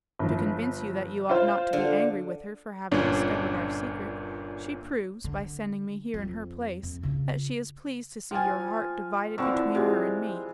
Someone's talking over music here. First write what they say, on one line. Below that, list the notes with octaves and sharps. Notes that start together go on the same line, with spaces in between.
To convince you that you ought not to be angry with her for having discovered our secret, she proves, by sending me here in her place, that she is pleased to see your heart divided between her and me.
G1 F3
F4 C5
D3
G1 A#2 C#4 D4
D3
F2
F2
C#3 F4
F3 F4 G5 G#5
D3 E3 F3 C4 C#6 E6
C3 G#3 F4 G4 G#4